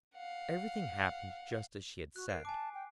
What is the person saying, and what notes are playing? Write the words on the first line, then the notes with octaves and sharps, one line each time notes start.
Everything happened just as she had said.
F5 F#5
F#4 F#6
A#4 C7 D7
G#5 A5 D6
G5